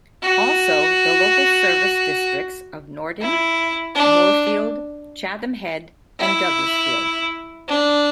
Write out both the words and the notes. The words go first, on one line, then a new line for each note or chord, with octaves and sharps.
Also the local service districts of Nordin, Moorefield, Chatham Head, and Douglasfield.
F#4
E4
D4
E4
D4